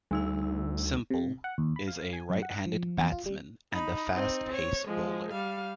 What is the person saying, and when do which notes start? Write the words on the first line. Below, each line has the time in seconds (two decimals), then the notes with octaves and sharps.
Semple is a right-handed batsman and a fast pace bowler.
0.11 D2 G3 D#4 E6
1.10 C3
1.44 F#5
1.58 D#2
1.76 B5
1.88 F5
2.13 G#5
2.30 F#2
2.42 F#5
2.66 F3
2.98 E2
3.12 F4
3.26 G3
3.72 D#4 B5
4.15 C4 D#4
4.53 C#5
4.86 F3 G#3
5.31 G3 F5